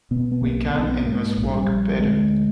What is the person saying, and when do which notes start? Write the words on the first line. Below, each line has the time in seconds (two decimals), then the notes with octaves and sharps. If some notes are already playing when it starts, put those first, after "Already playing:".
We can and must work better.
0.11 B2 B3
0.32 B3
0.42 B1 A#3
0.73 B1 B3
0.82 C4
0.89 B3
1.05 G#2 A#3
1.37 A#1
1.52 G3
1.68 A#1
1.99 D2 G#3